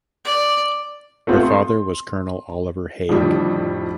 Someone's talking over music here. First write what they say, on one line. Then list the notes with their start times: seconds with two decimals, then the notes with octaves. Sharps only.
Her father was Colonel Oliver Haig.
0.25 D5
1.27 A3 B3 C4 F4 A4
1.43 C6
3.09 F2 A2 D3 D#3 G3